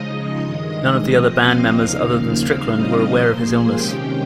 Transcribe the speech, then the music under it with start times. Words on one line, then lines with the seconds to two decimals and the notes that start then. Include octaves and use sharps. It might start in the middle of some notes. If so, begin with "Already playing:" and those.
None of the other band members other than Strickland were aware of his illness.
Already playing: C#3 F3 G#3 D#4 D#5 D#6
0.11 D#5 D#6
0.43 G2 D#3 G#3
0.77 D#5 D#6
1.10 C3 F3 C4 D#5 D#6
1.43 F5 F6
1.77 D#2 C#3 F3 A#3 D#4 F5 F6
2.43 C#3 G3 C4 D#4 F5 F6
2.77 D#5 D#6
3.09 A#2 F3 A#3 C5 C6
3.43 G#4 G#5
3.76 C3 D#3 G#3 C#4 G4 G5